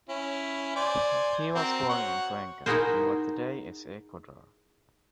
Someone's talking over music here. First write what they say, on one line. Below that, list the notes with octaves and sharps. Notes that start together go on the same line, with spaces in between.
He was born in Cuenca in what today is Ecuador.
C#4 E4
C5 D5 G#5
C4 F#4 A#4
F#4 C#5 F#5
D#4 E4 F#4 G#4 A#4 C5